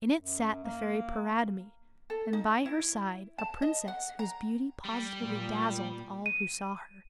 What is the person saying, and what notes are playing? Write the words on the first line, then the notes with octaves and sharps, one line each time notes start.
In it sat the Fairy Paridamie, and by her side a Princess whose beauty positively dazzled all who saw her.
F#2
A#3
A4
D#4
E4
A5
D#5
F#5
A#5
G3
A#2
D#7